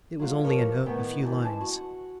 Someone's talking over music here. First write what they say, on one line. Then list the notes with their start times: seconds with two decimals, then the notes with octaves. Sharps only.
It was only a note, a few lines.
0.19 F#3 G#3 F4
0.44 G2 F3 G4 A#4 C#5
0.86 A2 D#3 B3 G5
1.22 D#3 E3 D4
1.41 E3 G#3 A5
1.61 F#4